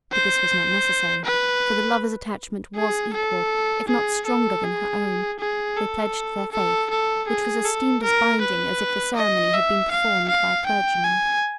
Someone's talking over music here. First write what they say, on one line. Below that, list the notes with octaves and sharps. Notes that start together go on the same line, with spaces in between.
But this was not necessary, for the lover's attachment was equal, if not stronger than her own; they pledged their faith, which was esteemed as binding as if the ceremony had been performed by a clergyman.
C5
B4
G#4
A4
G#4
A4
G#4
G#4
A4
A4
A4
G#4
A4
A#4
B4
D#5
E5
F5
F5
G5
G#5